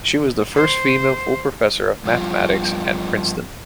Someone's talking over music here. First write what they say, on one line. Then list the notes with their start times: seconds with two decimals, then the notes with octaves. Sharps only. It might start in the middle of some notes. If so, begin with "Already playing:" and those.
She was the first female full professor of mathematics at Princeton.
0.55 C5
2.05 G2 F3